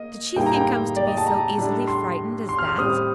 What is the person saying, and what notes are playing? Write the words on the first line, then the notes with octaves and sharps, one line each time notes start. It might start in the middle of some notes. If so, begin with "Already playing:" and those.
Did she think I was to be so easily frightened as that?
Already playing: A#3 D#5
A2 G3 A#3 D#4 G5
A#5
G5
D5
D#5
A5
A#5
A2 G3 D4
C6
C6
F6
F6
A2 G3 C4 D#6